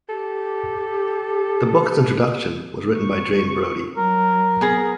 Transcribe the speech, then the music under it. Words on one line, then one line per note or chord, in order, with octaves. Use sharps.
The book's introduction was written by Jane Brody.
G4 A4
C#6
F#3 A#4
B3 G#4 A#5